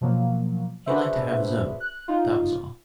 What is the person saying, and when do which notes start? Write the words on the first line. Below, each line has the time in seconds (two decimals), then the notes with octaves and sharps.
He liked to have his own,--that was all.
0.01 B2 F3 F#3 A#3
0.86 D4 F#4 G#4 B4 C5 E5
1.80 F#6
2.08 D#4 F4